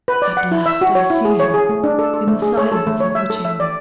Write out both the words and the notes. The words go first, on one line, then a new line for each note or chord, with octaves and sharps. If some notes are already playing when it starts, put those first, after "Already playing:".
At last, I see her, in the silence of her chamber.
B4
D5
F#5
E4
E5
F#4
C#5
E4
G#4
C#5
G#4
A3
D4
A4
A4
A3
G#4
C#5
A4
A3
C#5
E5
A4
E5
D5